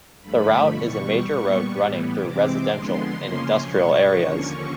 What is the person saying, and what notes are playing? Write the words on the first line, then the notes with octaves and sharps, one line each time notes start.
The route is a major road running through residential and industrial areas.
G2 D3 F3 A3 B5
E2 B2 G3 C#6
A#2 G3 B3
A2 E3 G3 B3
C3 E3 G#3 C4 D6
F2 D3 F3 G#3 B3 C6
F2 C#3 F3 A#3 C#4 C6
B2 G#3 B3 C#6
D#2 D3 F3 A#3 C#4